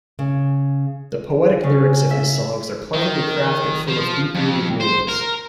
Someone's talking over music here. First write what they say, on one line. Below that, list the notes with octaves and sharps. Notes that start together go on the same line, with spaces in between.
The poetic lyrics of his songs are cleverly crafted full of deep-rooted meanings.
C#3
C#3
E5
D#3
F3
F2
C5
A#4